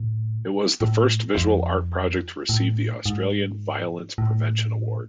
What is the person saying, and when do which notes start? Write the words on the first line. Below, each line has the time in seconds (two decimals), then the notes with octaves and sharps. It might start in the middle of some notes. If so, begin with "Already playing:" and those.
It was the first visual art project to receive the Australian Violence Prevention Award.
Already playing: A2
0.81 A2
1.37 F2
2.49 A2
3.06 G#2
4.18 A2